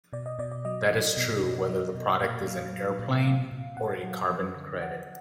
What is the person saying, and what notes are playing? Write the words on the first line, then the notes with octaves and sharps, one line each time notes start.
That is true whether the product is an airplane or a Carbon Credit.
B2 D5
D#5
B2 D5
D5
F#3 D#5
F#3
B2
B2
F#3
B2
A#2 F5
F#3
F#3
A#2
F#3
A#2
A#2 F#5
F#3
F3
D3
F3 F#5